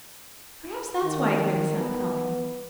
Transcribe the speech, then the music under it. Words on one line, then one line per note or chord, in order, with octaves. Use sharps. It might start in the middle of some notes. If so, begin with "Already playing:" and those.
Perhaps that is why I hear the South calling.
D#3
B3